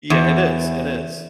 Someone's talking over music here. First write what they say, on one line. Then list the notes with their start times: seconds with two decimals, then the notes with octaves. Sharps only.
Yeah, it is, it is,
0.10 E2